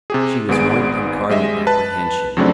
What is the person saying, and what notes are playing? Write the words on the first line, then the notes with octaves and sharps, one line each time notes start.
She was one incarnate apprehension.
C3 G4 G#4
G#1 G#2 B3 G#4 D7
G3 G#3 D#5 E5
B4 A5
F2 C#3 F#3 A3 C4 D4